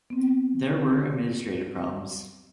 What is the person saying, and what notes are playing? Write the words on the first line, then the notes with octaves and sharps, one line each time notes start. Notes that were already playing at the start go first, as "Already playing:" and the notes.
There were administrative problems.
B3 C4